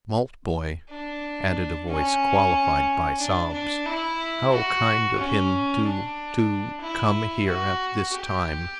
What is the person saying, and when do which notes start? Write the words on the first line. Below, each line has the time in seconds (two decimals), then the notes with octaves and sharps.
Maltboy!" added a voice, qualified by sobs. "How kind of him--to--to come here at this time!
0.90 D4
1.89 C#4
3.19 D4
3.53 D4
3.86 E4
4.51 F#4
5.17 C#4
5.82 D4
6.81 E4
7.47 F#4
8.13 G4